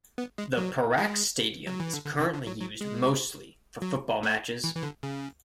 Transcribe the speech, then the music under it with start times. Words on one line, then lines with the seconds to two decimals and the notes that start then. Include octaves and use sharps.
The Perak Stadium is currently used mostly for football matches.
0.18 B3
0.38 G#3
0.57 F#3
0.98 G#3
1.67 F#3
1.80 E3
1.94 D3
2.06 D3
2.20 C#3
2.34 D3
2.47 F#3
2.60 F#3
2.81 G#3
3.82 F#3
4.23 A3
4.64 E3
4.75 E3
4.83 D3
5.03 C#3